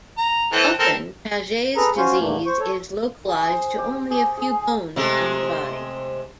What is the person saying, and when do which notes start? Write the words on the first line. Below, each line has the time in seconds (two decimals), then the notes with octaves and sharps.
Often Paget's disease is localised to only a few bones in the body.
0.18 A#5
0.52 E3 C4 A4
0.79 C4 A4 A#4
1.76 G#4 A4 B4 A#5
1.97 C#4 F4 F#4 C5 F5 G#5
2.19 E2 G2 A#2 E3 A3 A#3
2.46 C5 C#6
2.60 A4 C#5
3.28 G#4
3.49 C5
3.78 G4
4.10 G#4
4.37 G#4
4.96 C3 G#3 A3